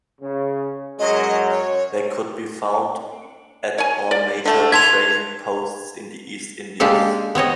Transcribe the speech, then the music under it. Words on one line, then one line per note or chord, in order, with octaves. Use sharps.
They could be found at all major trading posts in the East Indies.
C#3
F#2 F#3 G#3 D#5
C#5
C#5 G#5
D5
D3 A3
E5 A5 C6 G#6 F7
G#3 A#3 D4 G4 A4
B3 C4 C#5 D#5